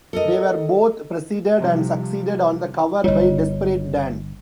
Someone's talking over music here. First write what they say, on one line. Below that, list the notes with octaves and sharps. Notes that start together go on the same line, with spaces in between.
They were both preceded and succeeded on the cover by Desperate Dan.
A4 A#4 D#5
C3 F3 G3
G1 G3 F4 C#5 D#5